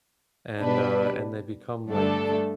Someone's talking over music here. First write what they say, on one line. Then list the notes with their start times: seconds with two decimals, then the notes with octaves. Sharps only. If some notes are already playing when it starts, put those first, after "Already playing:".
and, uh, and they become, like,
0.60 B2 G3 D4 B4
1.89 G2 D3 A3 D4 A4